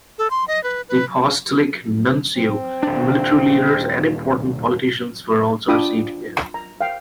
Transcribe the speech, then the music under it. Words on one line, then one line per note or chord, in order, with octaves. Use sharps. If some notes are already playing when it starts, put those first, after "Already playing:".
The Apostolic Nuncio, military leaders and important politicians were also received here.
A4
C6
D#5
B4
B4
C4
D#1 D4
D4 F4 G5 B5 D6 D#6
A#5
F5 G5